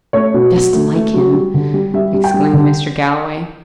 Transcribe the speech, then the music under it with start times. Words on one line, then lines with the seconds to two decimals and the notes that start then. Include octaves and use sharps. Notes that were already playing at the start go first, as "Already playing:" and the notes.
"Just like him!" exclaimed Mr. Galloway.
0.13 A3 C#5
0.34 B2
0.54 F#3
0.73 A3
0.94 A3
1.14 F#3
1.34 G3
1.54 D3
1.74 G3
1.94 G3 E5
2.14 G3
2.24 G5
2.34 G3
2.53 D3